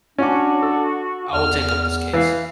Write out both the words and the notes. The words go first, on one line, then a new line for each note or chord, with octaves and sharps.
I will take up this case.
C#4 D4 F#4 D6
A4
E2 F6
E3 F5